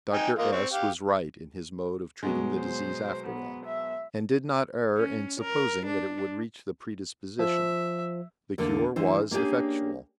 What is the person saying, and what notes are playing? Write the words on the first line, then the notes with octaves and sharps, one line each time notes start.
Dr. S-- was right in his mode of treating the disease after all, and did not err in supposing that it would reach the predisposition. The cure was effectual.
D#4 G5 G#5
A#3 F4 D#5
C4 C#6
G4 F5
B2 F#3 G#3
C5
B3
E5
C#4
A#4
D4
F3 E5
E2 D3 A#3
D2 E3 C5
A#3 C#4 D4 G4 G#4